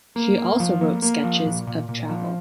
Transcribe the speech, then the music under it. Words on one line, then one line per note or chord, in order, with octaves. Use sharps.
She also wrote sketches of travel.
A#3
A#3
F3
A#3
A#3
F3
A#2
A#2
A#2
F3